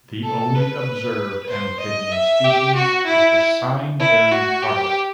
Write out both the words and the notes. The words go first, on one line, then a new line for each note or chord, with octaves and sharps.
The only observed amphibian species is the sign-bearing froglet.
A4
B4
C5
D#5
E5
G4
F#4
E4
E4
F#4
G4